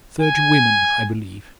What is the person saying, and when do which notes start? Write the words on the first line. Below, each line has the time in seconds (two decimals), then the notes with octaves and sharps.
Thirty women, I believe.
0.22 G#5